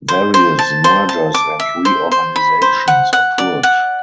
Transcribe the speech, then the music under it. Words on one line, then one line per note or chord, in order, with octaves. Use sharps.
Various mergers and reorganisations occurred.
C5
C5
A5
C5
A5
D6
E5
C5
C5
B5
C5
F#5
F#5
D5
F#5